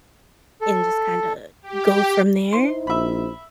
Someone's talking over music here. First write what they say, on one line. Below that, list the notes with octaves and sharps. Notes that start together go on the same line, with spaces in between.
and just kinda go from there.
A4
G4
D#4 E4 C5 C6
A#1 E5 B5